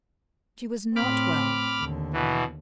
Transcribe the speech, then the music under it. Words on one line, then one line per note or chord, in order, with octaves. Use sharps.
She was not well.
A2 C4 B5 D6 F6
D#2 D3
B2 E3